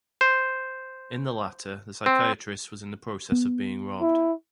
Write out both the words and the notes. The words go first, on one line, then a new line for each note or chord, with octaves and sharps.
In the latter, the psychiatrist was in the process of being robbed.
C5
C4
B3
E4